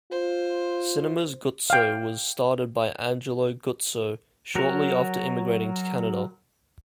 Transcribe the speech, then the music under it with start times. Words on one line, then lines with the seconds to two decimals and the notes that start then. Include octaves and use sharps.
Cinemas Guzzo was started by Angelo Guzzo shortly after immigrating to Canada.
0.11 F4 C5
1.70 F5 G5
4.55 F#3 F#4 A#4